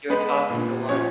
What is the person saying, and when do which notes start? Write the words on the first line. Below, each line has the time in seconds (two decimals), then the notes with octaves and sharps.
You're talking to one.
0.10 G#3 B3 B4
0.49 A#2
0.88 F3 C#4 C#5